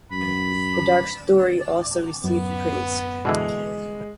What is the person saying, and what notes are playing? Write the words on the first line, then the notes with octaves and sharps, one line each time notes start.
The dark story also received praise.
F#2 B5
F#2 B3
B2 D3 E3 G#3